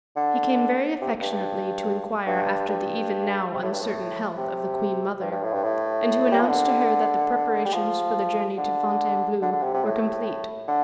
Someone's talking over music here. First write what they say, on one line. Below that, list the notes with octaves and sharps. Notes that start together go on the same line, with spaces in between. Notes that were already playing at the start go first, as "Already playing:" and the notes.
He came very affectionately to inquire after the even now uncertain health of the queen-mother, and to announce to her that the preparations for the journey to Fontainebleau were complete.
D3
C3
G2
G2
G2
G2
C3
A2
G2
A2
C3
G2
G2
A2
G2
A2
G3
F3
D3
G3
F3
D3
D3
D3
C3
C3
A2
D3